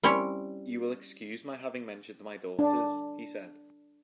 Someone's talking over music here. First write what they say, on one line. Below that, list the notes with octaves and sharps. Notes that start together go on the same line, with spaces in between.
"You will excuse my having mentioned my daughters," he said.
G3 C4 C#4 E4 C#5
D4